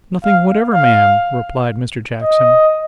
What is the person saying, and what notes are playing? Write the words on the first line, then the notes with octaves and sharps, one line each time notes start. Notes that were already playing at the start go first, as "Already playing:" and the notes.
'Nothing whatever, ma'am,' replied Mr. Jackson.
F5
F5
D#5